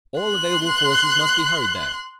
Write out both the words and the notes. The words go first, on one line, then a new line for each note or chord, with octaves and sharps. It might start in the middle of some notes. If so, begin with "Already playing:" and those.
All available forces must be hurried there....
C6 F#6